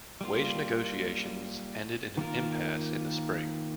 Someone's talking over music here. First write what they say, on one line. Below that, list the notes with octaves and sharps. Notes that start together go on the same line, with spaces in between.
Wage negotiations ended in an impasse in the spring.
G3 A#3 F4
D#3 A#3 F4 A#4